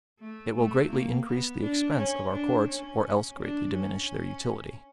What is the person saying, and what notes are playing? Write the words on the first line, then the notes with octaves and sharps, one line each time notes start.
It will greatly increase the expense of our courts or else greatly diminish their utility.
A3
A3
A#3
B3
D4
C#4
D4
C#4
D4
C#4